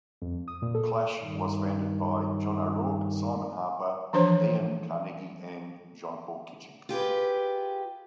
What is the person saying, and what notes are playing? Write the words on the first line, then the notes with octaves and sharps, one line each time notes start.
"Clash" was founded by John O'Rourke, Simon Harper, Iain Carnegie and Jon-Paul Kitching.
F2
D#6
A#2
A4
G2 D#3
E3 F3 D4 C5 C#5
F4 G4 G#4 B4